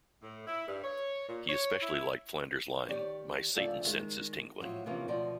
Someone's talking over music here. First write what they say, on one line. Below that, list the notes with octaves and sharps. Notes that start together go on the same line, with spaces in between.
He especially liked Flanders' line My Satan sense is tingling.
A2
E4
G2
C#5
A#2
C#5
E4
D#3 G4 C#5 D5
D2 C#3 F3 A4 D5 E5
D#3 G#3
A2 F3 F#3
C3 E3 F3 A#3 C#4
D2 B2 F3 D5 D#5